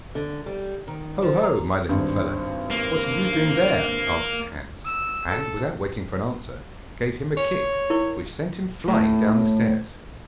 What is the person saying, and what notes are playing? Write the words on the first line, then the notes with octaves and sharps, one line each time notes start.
'Ho! ho! my little fellow, what are you doing there?' asked Hans, and, without waiting for an answer, gave him a kick which sent him flying down the stairs.
D3
G3
D#3
F3
A#5
G#1 G2
A#3
E6
A4
C#5
E4 A#4 C#6
A2